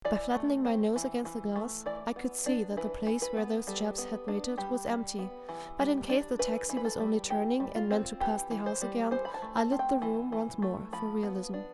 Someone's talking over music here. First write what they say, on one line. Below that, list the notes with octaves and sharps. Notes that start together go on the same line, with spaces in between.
By flattening my nose against the glass I could see that the place where those chaps had waited was empty; but in case the taxi was only turning, and meant to pass the house again, I lit the room once more, for realism.
E3 D5
A3
C4
E3
E3
A3
E3 D5
B3
D4
E3 B4
E3
B4
B3
G3 A4
B3
D4
G3 G4
G3
B3
E3
G3
D4
E3 B4
E3
B4
A4
G3
E3 G4
G3
F4
C4
E3 G4
E3
C5
G3
E3 C5
B5
A5
A3
A5
C4
G5
E3
E3
A3
F3 B5
B3
D4